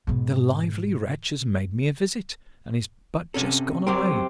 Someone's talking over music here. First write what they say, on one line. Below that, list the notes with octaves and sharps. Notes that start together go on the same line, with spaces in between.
The lively wretch has made me a visit, and is but just gone away.
G#2 B2
C3 C#4 A4
C#2 F#3 C4 G4 A#4